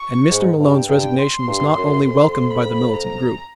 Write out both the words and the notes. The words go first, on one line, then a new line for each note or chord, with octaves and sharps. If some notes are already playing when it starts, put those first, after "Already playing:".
And Mr. Malone's resignation was not only welcomed by the militant group.
Already playing: C#6
G#2
G2
G5
G2
C6
G2
F#2
F2 C6
B5
A#5